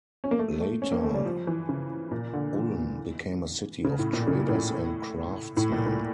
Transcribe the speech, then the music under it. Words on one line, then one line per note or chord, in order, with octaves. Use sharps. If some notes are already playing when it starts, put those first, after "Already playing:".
Later, Ulm became a city of traders and craftsmen.
C#4
A#3
A3
A3
C#4
A#3
A3
G3
F3
E3
C#3
A#2
D3
E3
C#3
A2
A#2
C#3
A2
A2
A#2
A2